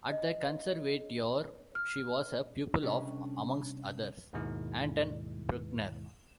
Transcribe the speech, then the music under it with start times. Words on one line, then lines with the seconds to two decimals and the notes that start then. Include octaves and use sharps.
At the Conservatoire she was a pupil of, amongst others, Anton Bruckner.
0.12 D#5
1.75 F6
2.82 C3 G3 C#4 D4 A4
4.33 D#2 G#2 B2 D#3 G#3 E4